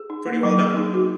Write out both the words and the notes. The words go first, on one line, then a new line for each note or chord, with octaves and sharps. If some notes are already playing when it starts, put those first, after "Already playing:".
Pretty well done!
Already playing: G#4
D#4
A#3
F#3
G#4
D#4
F#4